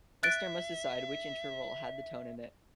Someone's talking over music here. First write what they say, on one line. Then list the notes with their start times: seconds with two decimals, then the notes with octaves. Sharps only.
Listener must decide which interval had the tone in it.
0.23 E5 F#6 A6 D7